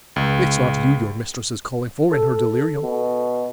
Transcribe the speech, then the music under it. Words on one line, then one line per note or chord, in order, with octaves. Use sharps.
It's not you your mistress is calling for in her delirium.
C#2
A4
B2